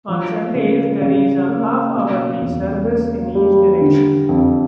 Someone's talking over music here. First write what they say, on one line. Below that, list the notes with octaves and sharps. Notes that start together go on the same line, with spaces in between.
On Sundays there is a half-hourly service in each direction.
F3
C#3
C#3
A#3
B2
E2
A#3
G3
D3
F2